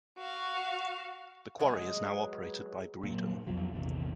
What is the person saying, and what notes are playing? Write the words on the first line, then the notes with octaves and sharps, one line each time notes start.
The quarry is now operated by Breedon.
F#4 F5
F#3 G#3
B4 C#5
A#2 F#3
B1 F2 F3 F#3
A#1 E2 C3 D#3